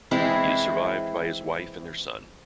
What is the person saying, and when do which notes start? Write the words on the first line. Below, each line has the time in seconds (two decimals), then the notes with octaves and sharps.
He is survived by his wife and their son.
0.11 E3 G#3 C4 E4